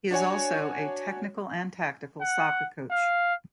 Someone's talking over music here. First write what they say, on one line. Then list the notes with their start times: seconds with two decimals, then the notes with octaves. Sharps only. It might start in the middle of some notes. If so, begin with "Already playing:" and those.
He is also a technical and tactical soccer coach.
0.11 D4 F#4 C#5 G#5
2.21 F#5
2.90 F5